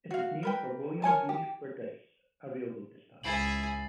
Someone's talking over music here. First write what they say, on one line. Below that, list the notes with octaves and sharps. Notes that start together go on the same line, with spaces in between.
It was named for William B. Fordyce, a railroad dispatcher.
F#4 F5
A#4 B4 G5
A#4 C#5 G#5 A5
G4
C#2 E4 G#4 A6 C7 F#7